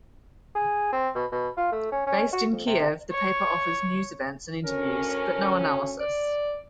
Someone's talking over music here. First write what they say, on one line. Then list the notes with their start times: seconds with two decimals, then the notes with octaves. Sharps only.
Based in Kiev, the paper offers news events and interviews, but no analysis.
0.55 G#4
0.92 C4
1.15 B2
1.32 B2
1.57 F4
1.72 A3
1.92 C#4
2.07 C#4
2.33 F#4
2.53 F2
2.67 C3
3.12 C#5
4.64 D2 C#4 A#4
6.00 D5